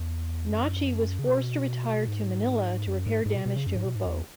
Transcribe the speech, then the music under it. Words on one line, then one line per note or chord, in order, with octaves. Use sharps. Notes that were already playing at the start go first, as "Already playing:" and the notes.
"Nachi" was forced to retire to Manila to repair damage to her bow.
Already playing: E2
F#2
C#3
B2
G#2
F#2
G#2
G#2
B2
B2
C#3
F#2
G#2
B2
G#2
E2